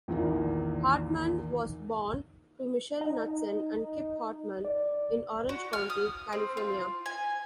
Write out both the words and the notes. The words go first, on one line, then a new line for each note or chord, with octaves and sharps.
Hartman was born to Michele Knutsen and Kip Hartman in Orange County, California.
A#1 E2 A#2 D#3
D#4
D5
F#4
F6
D#6
C4
F4
G#5